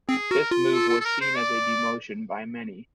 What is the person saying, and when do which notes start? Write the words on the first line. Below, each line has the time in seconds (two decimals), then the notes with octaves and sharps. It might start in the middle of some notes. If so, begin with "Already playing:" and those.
This move was seen as a demotion by many.
0.09 C4 G#4
0.31 F#4 A#4
0.51 F4
0.73 A4
0.89 A4
1.00 A4
1.05 A#4
1.21 C5
1.37 D5